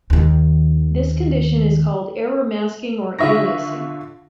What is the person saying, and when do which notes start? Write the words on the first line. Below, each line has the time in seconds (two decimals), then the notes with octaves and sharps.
This condition is called error masking or aliasing.
0.10 D#2 D#3
3.19 D3 F4 E5 C#6 A#6